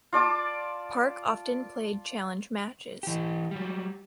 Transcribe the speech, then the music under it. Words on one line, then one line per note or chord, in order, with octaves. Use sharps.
Park often played challenge matches.
F4 D5 A5 D6
E3 G4
F#3 G3